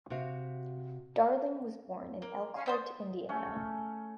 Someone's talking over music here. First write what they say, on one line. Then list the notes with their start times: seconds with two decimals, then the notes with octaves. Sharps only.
Darling was born in Elkhart, Indiana.
0.10 C3 F#4 F5
2.22 A#3
2.54 C#4 F5 G#5
2.66 C#4 C5 D5 C6 D#6
3.29 A3 C#4